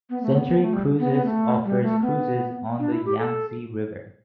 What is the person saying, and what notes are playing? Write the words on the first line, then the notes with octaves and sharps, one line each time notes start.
Century Cruises offers cruises on the Yangtze river.
B3
A3
B3
B3
A3
G3
B3
B3
A3
G3
A3
B3
D4
E4
G4
A4